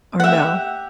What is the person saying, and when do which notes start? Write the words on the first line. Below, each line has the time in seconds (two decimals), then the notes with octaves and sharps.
or no?
0.20 F#5
0.24 G4 E5